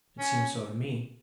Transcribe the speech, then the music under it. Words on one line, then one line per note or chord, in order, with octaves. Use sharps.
It seems so to me.
C#4